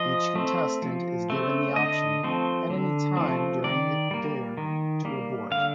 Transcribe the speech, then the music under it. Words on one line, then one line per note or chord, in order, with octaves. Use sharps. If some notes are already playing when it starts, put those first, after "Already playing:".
Each contestant is given the option, at any time during the dare, to abort.
Already playing: F3 D#5
A3 C4
F3
A3 C4
D3 D#5
F3 A3 C4
D3
F3 A3 C4
D#3 D5
G3 A#3
D#3
G3 A#3
D3 F5